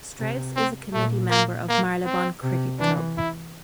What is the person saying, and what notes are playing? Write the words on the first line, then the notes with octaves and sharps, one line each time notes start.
Strauss is a Committee Member of Marylebone Cricket Club.
C3
C4
A#2 A3
A#3
A#3
C4
C3
E3 D4
E4